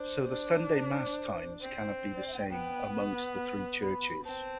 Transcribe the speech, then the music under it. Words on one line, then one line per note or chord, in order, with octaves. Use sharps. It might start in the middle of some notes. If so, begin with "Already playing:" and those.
So the Sunday Mass times cannot be the same amongst the three churches.
Already playing: D4 C5
D4
C5
C4 C5
C5
D5
E5
F#5
G5
B3 G5
B5
C4 A5